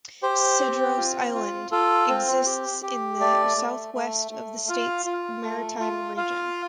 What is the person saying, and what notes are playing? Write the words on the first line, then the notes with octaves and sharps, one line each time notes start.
Cedros Island exists in the southwest of the state's maritime region.
G4 C5
C4
F4
F4
F4 A4
C4
G4
G4
A3 D5
A3
A3
A3
F4 F5
F4
A3
F4
F4 F5